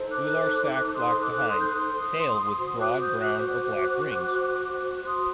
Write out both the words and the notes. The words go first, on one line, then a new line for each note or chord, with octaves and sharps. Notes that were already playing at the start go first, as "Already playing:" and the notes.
Gular sac black behind; tail with broad brown or black rings.
Already playing: D#4 A4 C5
D6 F#6
C6 D#6
D6 F#6
C6 D#6
G6
F#6
C6 D#6
F#4 C5 C6 D#6
D6 F#6
D#6 G6
D6 F#6
G6
D6 F#6
C6 D#6